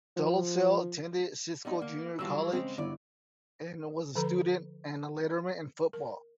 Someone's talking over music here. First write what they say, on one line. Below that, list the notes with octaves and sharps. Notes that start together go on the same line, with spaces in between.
Dolezel attended Cisco Junior College and was a student and a letterman in football.
F3
G3 B3 D#4
A#3
E3 F#3 G3 F4 E6
C#3 G#3 C4 C#4
G1 F#3 E4 D5
D3 F3 A4 B4 A#5
A#4